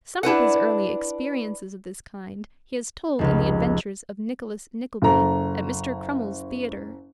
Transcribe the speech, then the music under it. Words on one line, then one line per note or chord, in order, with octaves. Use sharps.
Some of his early experiences of this kind he has told in the adventures of Nicholas Nickleby at Mr. Crummles's theater.
D4 E4 B4 F#5
F1 C#2 F6
F#1 A4 A#5